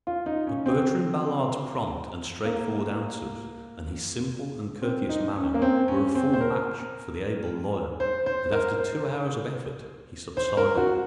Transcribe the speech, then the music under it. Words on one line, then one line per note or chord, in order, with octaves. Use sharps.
But Bertrand Ballard's prompt and straightforward answers, and his simple and courteous manner, were a full match for the able lawyer, and after two hours of effort he subsided.
F4
D#4
C#4
C4
A#3
C4
D#4
C#4
A#3
C4
C#4
C4
C5
A#4
C5
C5
A#4
C5
C5
A#4
F#4